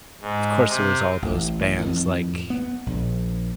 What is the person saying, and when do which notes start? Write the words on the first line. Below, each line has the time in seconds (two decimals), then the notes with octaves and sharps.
of course, there was all those bands like
0.21 G#2
0.68 C3
1.22 A1
1.77 F2 A2 D#3
2.50 B3
2.86 A#1